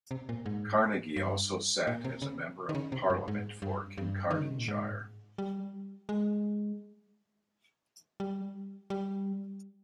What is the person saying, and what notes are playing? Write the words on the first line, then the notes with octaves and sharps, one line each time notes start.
Carnegie also sat as a Member of Parliament for Kincardineshire.
C3
A#2
G#2
G2
A#2
C3
C#3
D#3
C#3
C3
G2
G#2
G2
G2
D#3
C#3
C3
A#2
G#2
G3
G#3
G3
G3